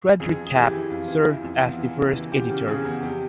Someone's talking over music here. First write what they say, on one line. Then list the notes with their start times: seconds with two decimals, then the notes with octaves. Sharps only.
Friedrich Kapp served as the first editor.
0.20 F2 G#4
0.38 F2
0.47 G#4
0.55 E3 G4
0.73 E3
0.90 F2 F4
1.08 E3
1.26 E3 E4
1.43 F2
1.61 E2 F4
1.78 E3
1.96 C#3
2.15 E3
2.32 E2 G4
2.50 C#3
2.67 C#3 G#4
2.85 E2
3.03 F2 G4